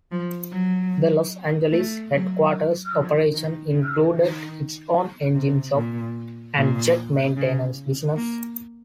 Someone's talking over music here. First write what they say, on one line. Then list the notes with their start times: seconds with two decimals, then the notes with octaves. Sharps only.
The Los Angeles headquarters operation included its own engine shop and jet maintenance business.
0.11 F3
0.52 F#3
1.72 A3
2.12 F#3
2.93 F3
3.33 D#3
3.74 C#3
4.14 D#3
5.35 C3
5.75 A#2
6.56 A#2
7.37 C#3
8.17 A#3